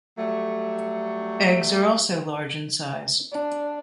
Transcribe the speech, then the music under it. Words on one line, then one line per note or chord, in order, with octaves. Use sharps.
Eggs are also large in size.
F#3 G3 A3
D4